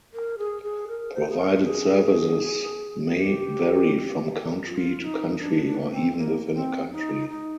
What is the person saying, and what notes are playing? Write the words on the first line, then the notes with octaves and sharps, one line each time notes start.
Provided services may vary from country to country or even within a country.
A#4
G#4
G#4
A#4
C5
G#4
A#4
G#4
G4
F4
D#4
D4
D4
A#3
C4
A#3
A#3
C4
D#4
D#4